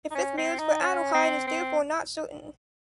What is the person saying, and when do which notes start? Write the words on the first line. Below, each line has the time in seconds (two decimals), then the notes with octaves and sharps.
A fifth marriage for Adelheid is therefore not certain.
0.11 D#4
0.15 C#4
0.37 C4
0.59 D#4
0.81 C#4
1.14 C4
1.47 C4